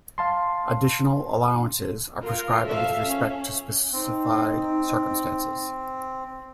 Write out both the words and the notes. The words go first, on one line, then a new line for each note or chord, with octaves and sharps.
Additional allowances are prescribed with respect to specified circumstances.
F5 A5 C6
F4 A#4
F3 A4 E5 F5
C#4
C4 D#4